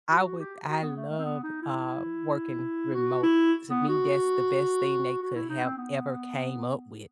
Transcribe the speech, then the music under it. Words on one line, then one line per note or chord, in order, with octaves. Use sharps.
I would I love, uh, working remote. To me, that's the best thing they could have ever came up with.
F#4
F#4
G4
F#4
B3
A3
A3
C4
B3
D#4
E4
F#4
E4
B3
F#4
F#4
E4
D#4
C4
B3